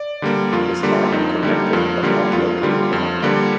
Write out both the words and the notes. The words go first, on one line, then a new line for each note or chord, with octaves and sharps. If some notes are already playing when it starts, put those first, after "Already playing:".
It is arc connected but not locally connected.
Already playing: D5
D3 G3 A#3
F2 F4
D3 G3 A#3
F2 D#4
D3 G3 A#3
F2 F4
D3 G3 A#3
F2 F4
D3 G3 A#3
F2
D3 G3 A#3